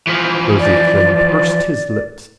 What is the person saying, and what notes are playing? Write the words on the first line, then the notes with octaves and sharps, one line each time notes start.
Nosey Flynn pursed his lips.
E3 F3
D5